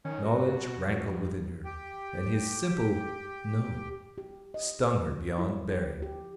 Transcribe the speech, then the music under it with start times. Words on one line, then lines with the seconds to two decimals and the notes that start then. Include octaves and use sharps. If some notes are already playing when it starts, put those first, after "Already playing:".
The knowledge rankled within her, and his simple "no" stung her beyond bearing.
0.05 D#3 C#4
0.24 G2 F#4
0.57 B2
0.88 F2
1.65 G4 G5
4.18 G4
4.54 D#5
4.97 F3
5.38 E4
5.69 G4
6.02 G4